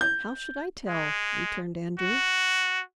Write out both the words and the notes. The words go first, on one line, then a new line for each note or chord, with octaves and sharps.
"How should I tell?" returned Andrew.
G6
G#3
F#4